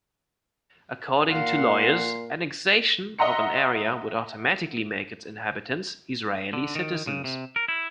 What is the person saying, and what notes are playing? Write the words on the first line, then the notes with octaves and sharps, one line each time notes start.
According to lawyers, annexation of an area would automatically make its inhabitants Israeli citizens.
A#2 F4 A#4 F#5 C6
D#5 E5 F#5 A#5 C6 C#7
D3
D#3
C#3
C3
A#4
E4